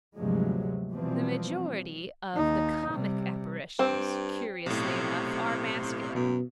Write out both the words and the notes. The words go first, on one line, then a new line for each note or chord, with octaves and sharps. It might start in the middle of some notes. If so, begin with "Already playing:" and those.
The majority of the comic apparitions, curiously enough, are masculine.
D2 G2 C3 F3 F#3 G#3
B2 E3 F3 G3 C4
D#2 D#4
C3 G3
G2 C4
B1 A2 C3
F#2 B2